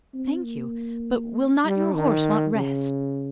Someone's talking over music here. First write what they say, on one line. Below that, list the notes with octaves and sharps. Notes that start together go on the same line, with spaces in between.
"Thank you; but will not your horse want rest?"
C4
A#3
G3
D#3
C#3